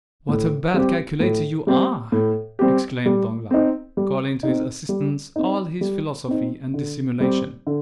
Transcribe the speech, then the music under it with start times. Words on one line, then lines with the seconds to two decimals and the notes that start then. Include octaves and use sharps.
"What a bad calculator you are!" exclaimed Danglars, calling to his assistance all his philosophy and dissimulation.
0.29 A2
0.74 G3 C4 G4
1.20 A2
1.67 G3 C4 G4
2.12 A2
2.59 G3 C4 G4
3.06 G3
3.51 C4 D#4
3.97 G3
4.43 C4 D#4
4.89 G3
5.36 C4 D#4
5.81 G3
6.28 C4 D#4
6.74 D3
7.20 G3 C4 G4
7.67 D3